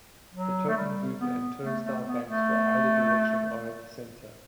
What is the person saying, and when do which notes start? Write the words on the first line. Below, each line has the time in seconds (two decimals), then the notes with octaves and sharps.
The token booth and turnstile banks for either direction are at the center.
0.34 F#3
0.69 A3
0.77 G3
1.20 B3
1.63 A3
1.84 A3
2.06 B3
2.28 A3